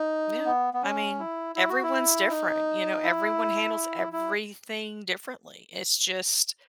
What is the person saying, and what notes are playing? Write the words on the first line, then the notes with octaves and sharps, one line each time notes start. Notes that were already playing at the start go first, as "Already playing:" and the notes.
Yeah, I mean, everyone's different, you know, everyone handles everything differently. It's just
Already playing: D#4
B3
B3
C#4
E4
E4
F#4
E4
D#4
E4
E4